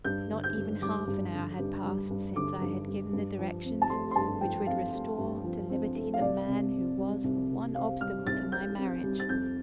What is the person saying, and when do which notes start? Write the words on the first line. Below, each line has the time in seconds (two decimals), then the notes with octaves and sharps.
Not even half an hour had passed since I had given the directions which would restore to liberty the man who was the one obstacle to my marriage.
0.04 G2 G6
0.30 D3
0.44 G6
0.56 G2
0.82 G3 D6
1.07 G2
1.33 D3
1.59 G2
1.84 G3
2.10 G2
2.35 D3 D6
2.61 G2
2.87 G3
3.13 G2
3.38 F3
3.64 C4
3.82 A5
3.90 A3 C6
4.11 C6
4.16 G2 A5
4.41 F3 G5
4.67 C4 F5
4.93 A3
5.18 G2
5.44 F3
5.70 C4
5.96 A3
6.14 F5
6.21 C2 D5
6.47 C3
6.73 C4
6.98 G3
7.24 C2
7.50 C3
7.75 C4 F5
8.01 G3 F6
8.27 C2 A6
8.52 C3 G6
8.78 C4
9.03 G3
9.20 A6
9.29 F2 G6